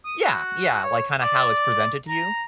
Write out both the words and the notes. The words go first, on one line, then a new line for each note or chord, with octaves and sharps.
Yeah, yeah, like, kinda how it's presented to you.
D#6
F#4
C#5
D5
A#5